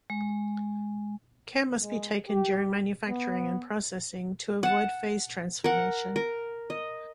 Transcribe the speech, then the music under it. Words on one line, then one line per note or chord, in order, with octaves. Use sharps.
Care must be taken during manufacturing and processing to avoid phase transformation.
G#3
G#3
G4
B3
F#5 A5
A#4 F#5
A#4
D#5